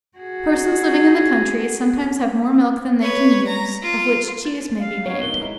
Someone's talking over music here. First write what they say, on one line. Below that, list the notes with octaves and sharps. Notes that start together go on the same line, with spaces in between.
Persons living in the country sometimes have more milk than they can use, of which cheese may be made.
F#4 G#4
B4 C#5
A#5
F4
A6
F5
B3 C#4 D#4 C#5
B2 D#3 A#3 G7
G#3 E4 A#5